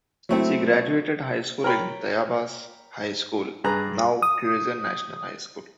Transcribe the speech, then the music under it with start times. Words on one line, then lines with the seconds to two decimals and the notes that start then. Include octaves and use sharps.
She graduated high school in Tayabas High School now, Quezon National High School.
0.29 F#3 A3 C4 E4
1.64 A#4 C#5 G5 B5
3.64 G2 D4 G#4 B4 A#5 F#6
4.22 D#6